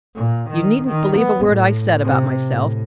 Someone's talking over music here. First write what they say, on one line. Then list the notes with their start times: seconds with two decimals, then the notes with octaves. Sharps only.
You needn't believe a word I said about myself.
0.15 A#2
0.50 D#3
0.86 D#3
1.18 B3
1.46 A2
2.02 C3
2.48 A2